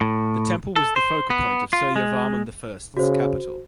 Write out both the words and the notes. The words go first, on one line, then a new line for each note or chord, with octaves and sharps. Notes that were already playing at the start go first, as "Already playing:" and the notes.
The temple was the focal point of Suryavarman the First's capital.
A2
A4
C5
B3
F4
G#3
C#3 F#4 C5